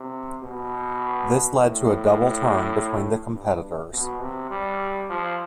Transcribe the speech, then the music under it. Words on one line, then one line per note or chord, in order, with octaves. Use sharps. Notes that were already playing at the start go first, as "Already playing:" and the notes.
This led to a double turn between the competitors.
Already playing: C3
B2
A2
G2
B2
C3
G3
F3